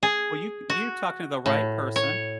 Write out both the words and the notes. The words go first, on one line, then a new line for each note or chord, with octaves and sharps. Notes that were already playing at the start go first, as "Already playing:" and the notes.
Well you you're talking to the right person,
G#4
F#4
A2
C#5